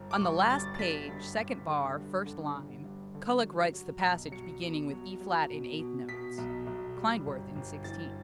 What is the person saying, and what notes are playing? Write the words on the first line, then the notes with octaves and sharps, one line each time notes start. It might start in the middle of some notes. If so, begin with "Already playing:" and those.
On the last page, second bar, first line, Kullak writes the passage beginning with E flat in eighth notes, Klindworth in sixteenths.
Already playing: G1
D6
G1 C#6
G3 A6
A6
D3 B6
G2
G1
D3
G2
D3
G1
G2
D3
F#3
F#3
B1
F#3 C#7
B2
F#3
F#3
B2
B2
B2 B6
B1
B1
G3
G1
G1
E3 A6